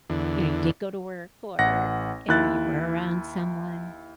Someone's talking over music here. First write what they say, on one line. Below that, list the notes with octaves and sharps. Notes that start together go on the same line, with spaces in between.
you know, you did go to work or, you know, you were around someone?
E2 D3
A1 F#5 A#6
D#2 E4 F#6 A6